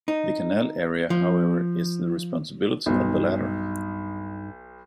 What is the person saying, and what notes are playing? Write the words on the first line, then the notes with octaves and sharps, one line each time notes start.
The Canal area, however, is the responsibility of the latter.
D#4
F3
B1 G2 D#4